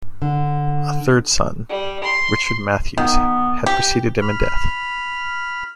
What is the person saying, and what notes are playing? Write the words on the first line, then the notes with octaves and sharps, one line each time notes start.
A third son, Richard Mathews, had preceded him in death.
D3
G3
C6
D#3 B3
G4
B5 F6